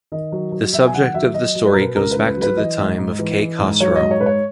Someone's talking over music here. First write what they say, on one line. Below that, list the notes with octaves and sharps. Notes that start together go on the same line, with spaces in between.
The subject of the story goes back to the time of Kay Khosrow.
D#3 D#5
F#3
F#3
F#3 E5
G#5
D#3 F#5
F#3 E5
F#3 D#5
F#3
B4
B2 A#4
B4
C#2 A#4
C#2 B4
B4
F#3
B4
E3 D#5
G#2
G#2
E3
E3
G#2
F#3 C#5
D#5
G#2
C#5
G#2 B4
C#5